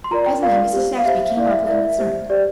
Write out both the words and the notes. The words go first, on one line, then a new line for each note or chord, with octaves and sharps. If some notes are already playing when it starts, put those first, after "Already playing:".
Presently Mrs. Saxby came up, looking concerned.
C6
F4 A#4 D5 A#5
G5
F4 A#4 D5 F5
G4 C5
F5
G4 C5 E5
E4 A#4 D5 F5
E5
E4 A#4 D5 E5
G4 C5
G4 C5 D5